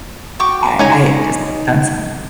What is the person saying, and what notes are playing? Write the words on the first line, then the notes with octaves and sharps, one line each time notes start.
I I had just done some
F#4 G5 C#6 D6
C#3 G#3 C#4 D#4 G#5 A#5